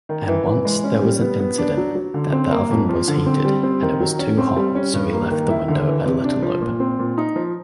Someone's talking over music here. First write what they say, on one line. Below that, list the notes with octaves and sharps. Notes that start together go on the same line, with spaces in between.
And once there was an incident that the oven was heated and it was too hot so we left the window a little open.
D#3
E3
E3
G#3
C#4
G3
B3
B3
D4
F#3
F#3
D3
C4
A#3
F2
F3
D3
C4
G3
C4
D#3
F#3
C#4
C4
G3
C#4
G2
A#3
D#3
E4
D3
E3
C3
D4
F3
A#2
C4
A#2
D#4
F3